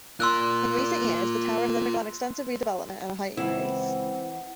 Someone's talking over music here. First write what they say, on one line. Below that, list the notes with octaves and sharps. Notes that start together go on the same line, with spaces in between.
In recent years, the tower has undergone extensive redevelopment and a height increase.
F4 A#4 C6 E6 F#6
C#2 E3 C4 E4 F#5